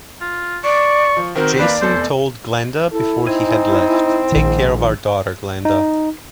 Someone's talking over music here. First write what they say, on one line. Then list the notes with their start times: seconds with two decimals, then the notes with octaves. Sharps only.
Jason told Glenda before he had left, Take care of our daughter, Glenda.
0.21 F4
0.64 D5 C#6
1.17 F3
1.35 D#3 C4 F#4 A#4
1.59 D#2 A#3 B4 D5
1.82 F1 E2 A4 C5
2.92 E4 A4
3.27 C4 D#4 G#5
4.32 A#1 G#2 D#3
5.65 D#4